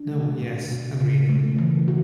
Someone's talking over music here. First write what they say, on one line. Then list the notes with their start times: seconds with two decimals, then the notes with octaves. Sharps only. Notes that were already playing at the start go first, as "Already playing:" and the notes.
No. Yes. Agreed.
Already playing: D4
0.13 A3
0.42 B2
0.71 B2
1.00 C#3
1.29 A3
1.59 E3
1.88 F#4